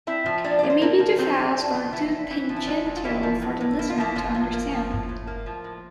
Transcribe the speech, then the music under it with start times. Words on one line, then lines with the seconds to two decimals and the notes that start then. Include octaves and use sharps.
It may be too fast, or too tangential for the listener to understand.
0.07 C4 E4 E5
0.26 F3
0.44 A#2 D4 D5
0.59 A#2 D5
0.70 C5
0.81 A#3 C4 A#4
1.00 F3
1.19 A#2 C4 C5
1.37 A#2
1.56 C4 D4
1.74 F3
1.92 A#2 E3 E4
2.12 A#2
2.30 E3 C4 E4
2.49 F3
2.56 E4
2.67 A#2 D4
2.86 A#2
2.97 F4
3.04 E3 A#3 E4
3.23 F3
3.42 A2
3.61 A2
3.79 A#3 E4
3.90 F4
3.98 E3 F3 E4
4.15 A2 F3 F4
4.34 A2
4.53 A#3
4.72 F3
4.91 A2
5.09 A2
5.27 A#3
5.46 F3
5.64 A2